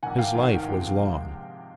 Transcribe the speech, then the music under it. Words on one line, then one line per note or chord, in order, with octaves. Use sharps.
His life was long.
A#1 G#2 D#3 F#5 G#5
F5 G5
A#1 G#2 D#3
C3 F3 G#3